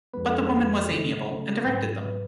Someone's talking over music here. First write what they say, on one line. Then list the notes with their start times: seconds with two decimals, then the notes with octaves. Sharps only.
But the woman was amiable, and directed them.
0.13 F2 F3 G#3 B3 B4
0.25 A4
0.36 G#4
0.46 A4
0.52 F2 F3 G#3 B3
0.90 C#3 F#3 A3 C#4
1.27 C#3 F#3 A3 C#4
1.66 G#2 F#3 B3 B4
2.03 F#3 B3